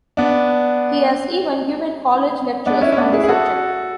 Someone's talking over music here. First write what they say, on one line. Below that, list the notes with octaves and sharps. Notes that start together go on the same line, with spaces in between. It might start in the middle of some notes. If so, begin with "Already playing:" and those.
He has even given college lectures on the subject.
B3 D4
B3 D4
C#4 E4
C#4
B3 D4
E4 G#4
G#4
F#4 A4